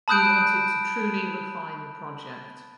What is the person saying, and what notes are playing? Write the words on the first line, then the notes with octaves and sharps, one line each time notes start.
We wanted to truly refine the project.
A5 B5 D#6 F#6 G6 D7